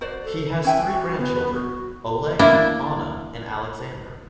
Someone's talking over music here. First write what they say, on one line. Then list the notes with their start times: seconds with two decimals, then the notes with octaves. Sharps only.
He has three grandchildren, Oleg, Anna and Alexander.
0.01 F#4 C5 D5
0.24 A4
0.65 C#4 E5 G5 G#5
0.85 F#4
1.18 B3
1.54 F#4
2.39 A#3 D4 E4